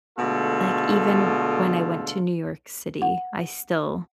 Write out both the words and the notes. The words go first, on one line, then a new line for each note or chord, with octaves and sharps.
like, even when I went to New York City, I still
B2 D3 G#3 A3 F4 A4
F#5